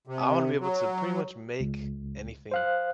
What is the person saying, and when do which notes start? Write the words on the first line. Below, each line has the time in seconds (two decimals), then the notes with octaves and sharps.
I want to be able to pretty much make anything,
0.07 C3
0.60 F#3
1.60 C#2
2.51 C5 F5 F#6